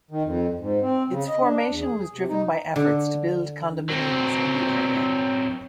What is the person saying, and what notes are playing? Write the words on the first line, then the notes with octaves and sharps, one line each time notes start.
Its formation was driven by efforts to build condominiums in the area.
D#3
F2
G#2
C4
C#3
D#5
D4
E2
G#4
C3
D#4
D3
F#3 C4